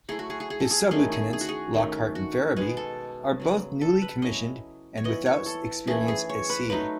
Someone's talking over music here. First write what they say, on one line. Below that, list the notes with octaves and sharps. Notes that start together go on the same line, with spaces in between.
His sub-lieutenants, Lockhart and Ferraby, are both newly commissioned and without experience at sea.
F#3 A3 E4 G#4
F#4
G#4
G#4
G#4
A4
G#4
D#3 A3 C#4 E4 G#4
G#4
G#4
F#4
G#4
D#3 A3 C#4
F#4
B2 G#3 B3 G#4
A4
C#3 F#3 B3
A4
B4
F#3 C#4 E4 D#5
C#5
E3 B3 E4 D#5
C#5
A4
E3 A3 C#4 E4 G#4
G#4
C#5
B4
F#3 A3 D#4 B4